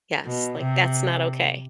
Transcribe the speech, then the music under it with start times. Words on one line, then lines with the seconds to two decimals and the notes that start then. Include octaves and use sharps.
Yes, like, that's not okay.
0.25 B2
0.59 C3